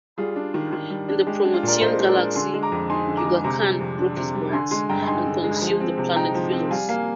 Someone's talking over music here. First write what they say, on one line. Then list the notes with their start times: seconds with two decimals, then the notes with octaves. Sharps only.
In The Promethean Galaxy Yuga Khan broke his bonds, and consumed the planet Velos.
0.18 G3 F4 G#4
0.36 D4
0.54 D#3
0.73 D#3
0.90 G3
1.08 D4
1.27 G#3 G4
1.45 D4
1.54 F4
1.63 A#2 A#4 D5
1.81 A#2 C5 D#5
1.99 G#3
2.08 A#4 D5
2.17 D4
2.35 D3 G#5 C6
2.54 G#3
2.63 A#5 D6
2.72 F2
2.90 D#4 G#5 C6
3.08 D3
3.17 A#5 D6
3.26 G#3
3.44 C3 A#5 D6
3.62 G3
3.81 F2
3.99 D4
4.17 C3
4.35 G3
4.53 D3 G#5 C6
4.71 G#3 G#5 C6
4.89 G2 G5 A#5
5.07 D#4 G#5 C6
5.26 D3
5.44 G#3
5.62 F3
5.80 C4
5.98 C3
6.16 D#4 G5 A#5
6.35 F3
6.53 C4
6.71 G3 F5 G#5
6.89 A#3 F5 G#5